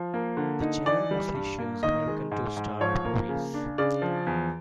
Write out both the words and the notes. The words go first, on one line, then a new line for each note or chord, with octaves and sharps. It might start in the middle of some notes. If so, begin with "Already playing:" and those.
The channel mostly shows American two-star movies.
Already playing: F3
A#3
D3
D#4
E3 D5
G3
G2
A#3
D#3 D#5
G#3
G#2
G#2
F3 C#5
A#3
C#3
D4
C#3 D5
F3
E2